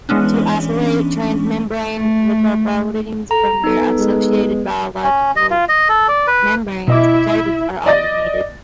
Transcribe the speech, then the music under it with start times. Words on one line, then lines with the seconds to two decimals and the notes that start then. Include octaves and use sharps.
To isolate transmembrane lipoproteins from their associated biological membranes, detergents are often needed.
0.09 E3 G#3 B3 C#4 D4
1.84 A3
3.31 A4 A#5
3.64 B3 D#4 A4
3.97 G#3
5.04 C#4
5.36 D#5
5.50 F4
5.69 D#5
5.89 A4
6.08 D5
6.27 B4
6.88 B2 E4 D#5 E5 D6
7.86 D5 D#5 A6